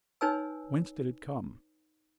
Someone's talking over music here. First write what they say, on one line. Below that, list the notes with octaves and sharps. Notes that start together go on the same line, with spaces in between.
Whence did it come?
D#4 B4 C#5 G#5 E6